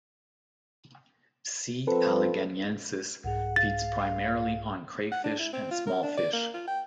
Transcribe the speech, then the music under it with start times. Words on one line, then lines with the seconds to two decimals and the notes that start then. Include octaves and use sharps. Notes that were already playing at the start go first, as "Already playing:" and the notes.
"C. alleganiensis" feeds primarily on crayfish and small fish.
1.87 F3 C4 F4 A4 B4
3.24 C2 G#2 G#4 F#5
3.56 F5 A6
5.12 F#5
5.24 D4
5.39 E4
5.53 C4
5.71 F4
5.87 A#4
6.03 D4
6.18 D5
6.33 A#3
6.54 F4
6.68 G5